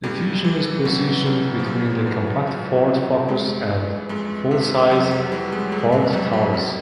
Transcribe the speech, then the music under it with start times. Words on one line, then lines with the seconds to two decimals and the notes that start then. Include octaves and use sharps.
The Fusion is positioned between the compact Ford Focus and full-size Ford Taurus.
0.03 C#2 G3
0.44 E3
0.85 C#2 F#3
1.26 C#3 F#3
1.59 F3
1.66 C#2 F#3
1.86 F#3
2.07 E3 F#3
2.27 F#3
2.47 C#2 F#3
2.88 C#3
3.29 F2 G#3
3.70 E3
4.09 F2 G#3
4.51 C3
4.91 F2 F#3
5.11 F#3
5.31 E3 G3
5.52 G#3
5.72 F2 G#3
5.92 G3
6.13 C3 F#3
6.33 F#3
6.53 E2 G3